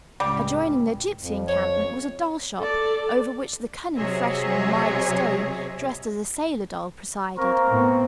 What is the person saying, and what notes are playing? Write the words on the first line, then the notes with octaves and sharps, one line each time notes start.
Adjoining the gypsy encampment was a doll shop, over which the cunning freshman, Myra Stone, dressed as a sailor doll, presided.
C#2 A2 G3
F2
C#5
A4 D5
C3 F#3 G#4 C#5 D#5 E5
A#3 C4 A#4 C#6
A2 B3